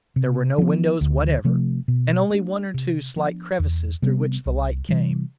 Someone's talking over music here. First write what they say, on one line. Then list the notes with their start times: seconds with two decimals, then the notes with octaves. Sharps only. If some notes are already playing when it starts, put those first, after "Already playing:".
There were no windows whatever, and only one or two slight crevices through which the light came.
0.16 C3
0.58 F3 B3
1.01 D2
1.44 C3 F3 A3
1.88 B2
2.30 A3 D4
2.74 C3
3.16 F3 B3 D4
3.59 E2
4.02 C3 G3 B3
4.46 C2
4.89 C3 E3 G3